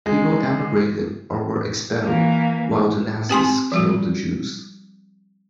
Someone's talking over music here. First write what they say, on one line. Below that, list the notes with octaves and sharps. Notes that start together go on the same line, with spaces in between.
People emigrated or were expelled, while the Nazis killed the Jews.
G#3
E3 A#3
C4 G4 G#5 C6
F3 G3 F#4